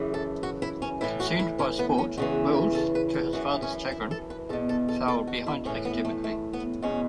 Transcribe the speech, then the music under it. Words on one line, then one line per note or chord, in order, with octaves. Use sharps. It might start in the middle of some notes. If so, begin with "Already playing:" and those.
Consumed by sport, Wills, to his father's chagrin, fell behind academically.
Already playing: F#2 C#3 E3
A4
F#4
E4
C#4
A2 E3 E4
F#4
E4
C#4
B3
C#4
E2 C#3 E3 F#4
A4
B4
A4
F#2 E3 F#4
C#4
E4
A4
B4
E2 B2 A4
A4
A4
A4
F#4
E4
A2 E3 C#4
B3
A3
A3
B3
E2 B2 C#4